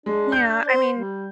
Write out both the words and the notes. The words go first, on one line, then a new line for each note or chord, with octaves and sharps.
Yeah, I mean
G#3 D4
G6
C5
G3